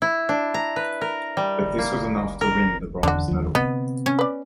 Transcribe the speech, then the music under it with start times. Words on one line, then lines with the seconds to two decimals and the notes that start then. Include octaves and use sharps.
But this was enough to win the bronze medal.
0.02 E4
0.29 D4
0.54 A#5
0.76 B4
1.01 A#4
1.37 G3
1.78 A#3
2.41 A#4
3.03 E2 D3 D4 F#4
3.28 D#2 F3
3.55 C3 B3 D#5
4.06 C#4
4.19 B4 D5